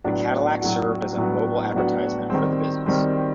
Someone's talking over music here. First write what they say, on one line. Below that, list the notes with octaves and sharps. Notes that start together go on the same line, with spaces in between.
The Cadillac served as a mobile advertisement for the business.
A2 F#3 B3 D4 F#4
A2 F#3 B3 D4 F#4
A2 F#3 B3 D4 F#4
A2 F#3 B3 D4 F#4
D#3 G3 C4
D#3 G3 C4